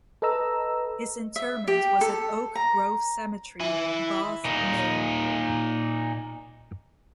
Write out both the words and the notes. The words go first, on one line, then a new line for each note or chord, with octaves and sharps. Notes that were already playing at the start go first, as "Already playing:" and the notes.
His interment was at Oak Grove Cemetery, Bath, Maine.
A4 B4 D#5 A#5 E6
E5
G4
A4
A#5
E4 G#5
A#2 D#4